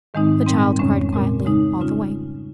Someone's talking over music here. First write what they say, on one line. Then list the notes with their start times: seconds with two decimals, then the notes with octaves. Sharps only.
The child cried quietly all the way.
0.14 G#2 D#3 G#3 C4 D#4
0.47 A#2 G3 C4
0.79 F2 C#3 G#3 C#4
1.13 A#2 G#3 C4
1.45 C#3 G#3 D#4
1.79 C#3 G3 C#4 F4